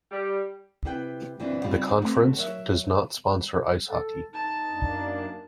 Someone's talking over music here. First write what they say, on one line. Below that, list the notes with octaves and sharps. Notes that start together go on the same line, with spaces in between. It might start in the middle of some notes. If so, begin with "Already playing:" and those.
The conference does not sponsor ice hockey.
G3
C3 E4 B4 G5
F#2 A#2 E3 C4 D4 E4
C#3 G3 C4 D#4 F4 C5
A3 B3 C4
F#3 A#4 C#5 E5
A4
D#4 A5
F#2 A#3 D4